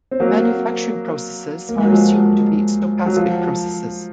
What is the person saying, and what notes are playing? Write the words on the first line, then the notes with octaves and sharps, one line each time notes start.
Manufacturing processes are assumed to be stochastic processes.
C4
F#3 A#3
A#3
G#3
F#3
F3 G#3
F#3
F3